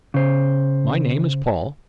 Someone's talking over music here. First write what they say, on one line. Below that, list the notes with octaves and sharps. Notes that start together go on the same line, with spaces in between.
My name is Paul.
C#3 C5